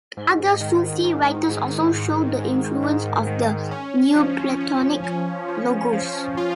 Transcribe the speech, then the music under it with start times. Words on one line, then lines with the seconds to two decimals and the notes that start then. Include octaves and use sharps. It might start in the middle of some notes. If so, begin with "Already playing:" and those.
Other Sufi writers also show the influence of the Neoplatonic Logos.
0.17 G#2
0.61 D#3
1.05 G#2
1.49 G#2
1.94 G#2
2.39 G#2
2.82 G#2
3.27 D#3
3.71 C#4
4.15 F3
4.61 C#4
5.04 C#4
5.48 F3
5.93 F3
6.37 F4